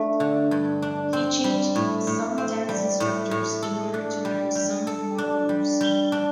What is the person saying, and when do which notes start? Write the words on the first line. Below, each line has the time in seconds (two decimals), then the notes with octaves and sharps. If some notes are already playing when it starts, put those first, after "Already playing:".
He changed some dance instructors in order to learn some more moves.
Already playing: A3 D4
0.20 D3
0.51 G2
0.82 D4
1.13 C4
1.44 G3
1.76 A2
2.07 A2
2.38 C4
2.69 G3
3.00 A2
3.31 A2
3.62 A4
3.94 D4
4.25 G3
4.55 G3
4.87 A4
5.18 D4
5.49 G3
5.81 G3
6.12 D4